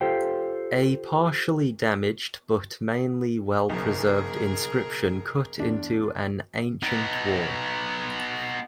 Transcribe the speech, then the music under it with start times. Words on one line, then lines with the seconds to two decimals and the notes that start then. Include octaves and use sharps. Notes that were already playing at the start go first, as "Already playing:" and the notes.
A partially damaged but mainly well preserved inscription cut into an ancient wall.
0.01 F4 G4 A4 C5 F5 G5
3.69 F#1 B1 G#4 A#4
5.60 E2 D4
6.83 B3 D#4